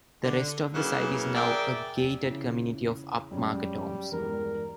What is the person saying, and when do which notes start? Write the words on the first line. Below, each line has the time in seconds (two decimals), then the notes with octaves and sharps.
The rest of the site is now a gated community of up-market homes.
0.23 D3
0.74 C#3 E3 F#3 A#3
1.34 G#4 A#4 D5 E5 G5
2.25 C#3 E4
3.31 F#2 G3 G#3 C#4
4.12 E2 G2 G#3 A#4